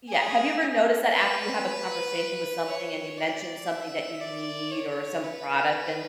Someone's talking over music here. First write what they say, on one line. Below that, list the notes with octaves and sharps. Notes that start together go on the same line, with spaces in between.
yeah, have you ever noticed that after you have a conversation with something and you mention something that you need or some product and
G#4
B4
C#5
D5
E5
D5
C#5
B4